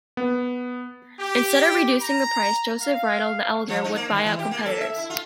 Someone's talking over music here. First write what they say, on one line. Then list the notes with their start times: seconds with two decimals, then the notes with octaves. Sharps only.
Instead of reducing the price, Josef Riedel the elder, would buy out competitors.
0.17 B3
1.19 G4
2.01 A#5
2.82 F5
3.68 F3
3.84 D#4
3.96 A#3
4.10 D#3
4.24 E3
4.39 G4
4.51 A#3
4.66 A4
4.81 E5
4.96 E4
5.10 F4